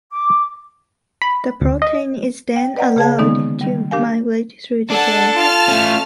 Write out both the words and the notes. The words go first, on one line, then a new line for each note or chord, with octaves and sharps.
The protein is then allowed to migrate through the gel.
D6
B5
D2
D#5
G5
B4 D5 D#5 F#5 G5 A#5
C#3 A#3 G#4 F5 A5 G#6
D3 D#3 G#3 B3 C#4 D#4
D#3 G3
D4 G4 A#4 F5 G#5
D4 A4 F#5 G#5 A5
F4 A5 F6
A3 C#4